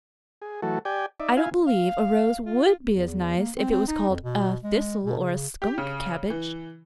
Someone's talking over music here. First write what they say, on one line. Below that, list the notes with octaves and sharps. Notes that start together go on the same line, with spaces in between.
I don't believe a rose WOULD be as nice if it was called a thistle or a skunk cabbage.
G#4
E3 F#3 A3 F#4 A4
G4 D5 G5 G#5
D#4 D5 E5
E4 F4 F5 G#5
F5
F4
E2
A#3
C4
C4
D#4
F2
B2
G#3
B2
C#3
G4
C#3
E3